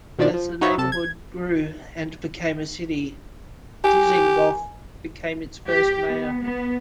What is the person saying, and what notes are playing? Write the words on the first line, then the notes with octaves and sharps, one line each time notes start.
As the neighborhood grew and became a city, Dizengoff became its first mayor.
B2 D#3 F3 D4 D5
F3
D#4 F#4 B4 C#5 E5
C3 A4 A5
G#6
G4 G#5
G4
B3
B3